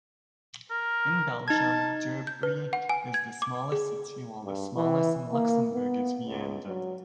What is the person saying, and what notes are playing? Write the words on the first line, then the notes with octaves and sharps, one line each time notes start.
In Belgium, Durbuy is the smallest city, whilst the smallest in Luxembourg is Vianden.
A#4
D#4 A5 G#6
G6
B4
F#5
G#5
G#6
D6
G#4
G2
E3
A#3
B3
C#2
F#3